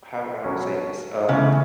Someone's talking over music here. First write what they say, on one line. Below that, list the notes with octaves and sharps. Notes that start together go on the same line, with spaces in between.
how how would I say this, um
B2 F#3 C#4 F#4
C#3 E3 A3 C#4